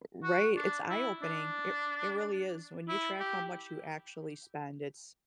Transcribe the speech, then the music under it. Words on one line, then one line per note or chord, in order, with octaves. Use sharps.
R right, it's eye opening, it it really is, when you track how much you actually spend, it's
F#4
D4
E4
D4
E4
G4